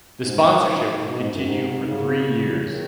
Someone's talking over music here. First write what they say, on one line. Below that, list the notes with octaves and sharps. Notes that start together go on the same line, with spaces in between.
The sponsorship would continue for three years.
G#2
B2
G#2
F#2
G#2
C#3
D#3